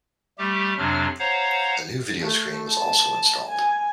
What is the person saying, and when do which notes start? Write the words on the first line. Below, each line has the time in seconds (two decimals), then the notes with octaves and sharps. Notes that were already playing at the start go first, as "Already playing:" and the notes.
A new video screen was also installed.
0.38 G3 A3 G4
0.78 F2 C3 F#3 D4 F6
1.19 C5 C#5 F5 F#5 A#5
2.21 A3
2.69 A5
3.49 G#5